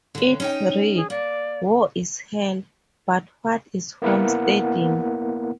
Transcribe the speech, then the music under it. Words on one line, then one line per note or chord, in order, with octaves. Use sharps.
It read: War is Hell, but what is homesteading?
A2 D3
C#4 D#4 G5
G#4
A#3 D5
A#3 B3 E4 A#4 F#5